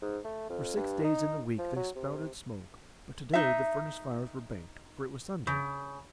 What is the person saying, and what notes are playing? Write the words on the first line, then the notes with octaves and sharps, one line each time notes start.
For six days in the week they spouted smoke, but to-day the furnace fires were banked, for it was Sunday.
G#2
A3
F2
G2
D#4
F3
F#3
C3
D#4 E5
C#3